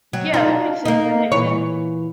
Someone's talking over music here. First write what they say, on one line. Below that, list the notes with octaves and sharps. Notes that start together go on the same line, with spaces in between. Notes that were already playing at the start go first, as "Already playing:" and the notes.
Yeah, that makes sense, that makes sense.
F#3
D4 D#4 F4
A#3 D#4
A#2 E3 C#5